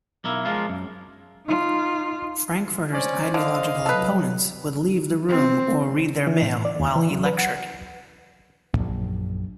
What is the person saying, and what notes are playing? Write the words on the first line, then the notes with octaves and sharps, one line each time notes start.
Frankfurter's ideological opponents would leave the room or read their mail while he lectured.
B1 A#3 E4
F3 G#3 A#3 F4
F#2
D#4 F4
C#4 C5 D5
D3 D#5 F5
F#3 A4 B4
C4
E3
A2
D5
D#2
E3
F#3
B4
F#5
A#1 F#2